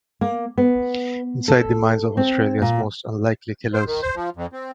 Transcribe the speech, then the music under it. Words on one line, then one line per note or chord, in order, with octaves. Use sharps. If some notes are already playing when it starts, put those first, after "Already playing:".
Inside the Minds of Australia's Most Unlikely Killers.
A#3
B3
A4
C4
A#2
C5
D#3
C5
F3
F2
C4